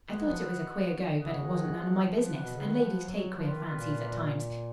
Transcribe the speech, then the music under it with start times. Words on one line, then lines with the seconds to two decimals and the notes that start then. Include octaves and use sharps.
I thought it was a queer go, but it wasn't none of my business, and ladies take queer fancies at times.
0.09 G#3 F#4 B4 D#5 F#5
0.28 F3
1.18 C#3 C#4 G#4 D#5 F#5
1.46 D#3
1.73 F3
2.27 F#4 B4 F#5
2.43 B2
2.55 C#3
2.68 D#3
2.82 F3
3.09 F#3
3.36 F3 A#3 F4 B4
3.49 D#3
3.64 D#3
3.77 A#2